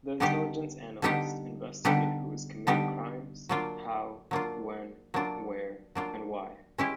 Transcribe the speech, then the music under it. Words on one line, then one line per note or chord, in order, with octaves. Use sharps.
The Intelligence analysts investigate who is committing crimes, how, when, where and why.
D3 G3 B3 D#4 G4
D3 G3 B3 D#4 G4
D3 G3 B3 D#4 G4
D3 G3 B3 D#4 G4
F#3 A#3 D4 F4
F#3 A#3 D4 F4
F#3 A#3 D4 F4
F#3 A#3 D4 F4
G#3 C#4 E4 G4